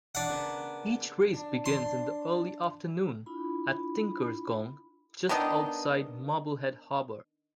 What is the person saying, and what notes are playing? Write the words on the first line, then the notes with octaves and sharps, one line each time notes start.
Each race begins in the early afternoon at "Tinkers Gong", just outside Marblehead Harbor.
D4 F#5
C#3 B3 A#4
D4
D4 C6
D4 E4 F4 B5
D#3 B3 D4 D#5